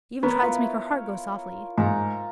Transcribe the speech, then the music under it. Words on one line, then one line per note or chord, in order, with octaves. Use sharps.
She even tried to make her heart go softly.
B3 A#4 C#5
E4 F4
G#2 F4 A#5